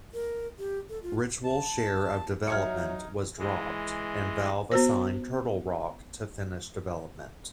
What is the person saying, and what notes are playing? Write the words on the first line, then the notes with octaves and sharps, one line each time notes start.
Ritual's share of development was dropped, and Valve assigned Turtle Rock to finish development.
A#4
G4
A4
F4
A5
F#3 D#4 E5 F6 G#6 C#7
E3 G#3
B3 F#4 C5